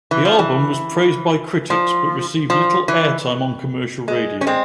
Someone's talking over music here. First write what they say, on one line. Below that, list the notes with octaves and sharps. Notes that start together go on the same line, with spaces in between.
The album was praised by critics but received little airtime on commercial radio.
E3
F3
E3
F3
F3
E3
G#3
C#4
G#3 C4